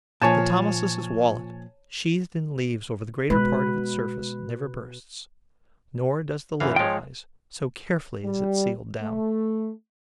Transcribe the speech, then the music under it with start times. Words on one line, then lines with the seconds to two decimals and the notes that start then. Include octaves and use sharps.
The Thomisus' wallet, sheathed in leaves over the greater part of its surface, never bursts; nor does the lid rise, so carefully is it sealed down.
0.22 A#2 F3 C#5 G#5 A5
3.30 B2 G#3 B4
6.60 F#2 E3 F5
6.76 F3 G#3 C#5 G5
8.24 G3
9.01 A3